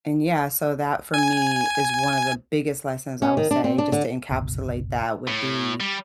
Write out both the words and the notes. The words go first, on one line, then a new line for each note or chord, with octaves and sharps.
and, yeah, so that for me is one of the biggest lessons I would say just to encapsulate that would be,
G#5
C#4
D#3
D4
C4
D4
D3
G1 C#2 B2
A2
G3